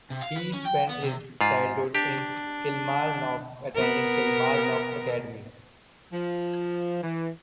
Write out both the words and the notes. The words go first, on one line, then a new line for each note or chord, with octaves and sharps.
He spent his childhood in Kilmarnock, attending Kilmarnock Academy.
C3
F5
B4
C#4
G5
B3
C3
G#2 F4
D4 G4
B3 A#4
F3
E3